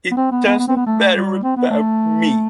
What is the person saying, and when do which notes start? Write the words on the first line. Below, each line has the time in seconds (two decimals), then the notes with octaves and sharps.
It doesn't matter about me.
0.11 B3
0.17 C4
0.31 B3
0.46 B3
0.59 B3
0.68 C4
0.77 B3
0.86 A3
1.15 G3
1.43 C4
1.57 B3
1.70 A3